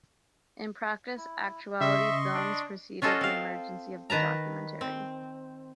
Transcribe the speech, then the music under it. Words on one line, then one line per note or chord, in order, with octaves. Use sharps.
In practice, actuality films preceded the emergence of the documentary.
E4
C#3 D#5 E5 C6 C#6
D4
C#4 F4 F#4 A4 D#5
C4 F5
D#3 B4 A5 A#5
C4